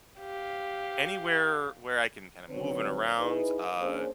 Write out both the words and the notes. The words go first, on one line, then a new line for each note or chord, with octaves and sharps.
anywhere where I can kinda moving around, uh
G4 F5
D3 D#3 F#3 C4 B4 C#5
D#4 E4 G#4 B4
A#3 C#4 D4 G#4 C5